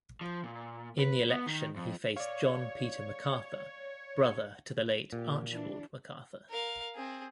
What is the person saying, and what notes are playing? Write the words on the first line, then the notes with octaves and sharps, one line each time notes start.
In the election he faced John Peter McArthur, brother to the late Archibald McArthur.
F3
A#2
B4
B3
D#3
F2
C#5 D5 F5
A#2 G4
E3 D4
A#4 F5
C4 G#4